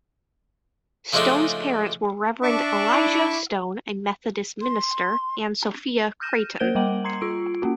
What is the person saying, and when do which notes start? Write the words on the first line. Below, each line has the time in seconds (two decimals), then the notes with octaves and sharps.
Stone's parents were Reverend Elijah Stone, a Methodist minister, and Sophia Creighton.
1.13 C#3 F3 G#3 A3 D4 D#4
2.43 D4 E5 C#6 D6
2.93 E4
4.62 C6
6.21 F6 G6 A#6 D#7 E7
6.60 A#3 A#4 C5 G6 D7 G7
6.75 G3 F#5 G5 D6 F#7
7.04 A#5 C6 G#6 C7 C#7
7.21 F4 E6 D7
7.62 A#3 C#4 F#4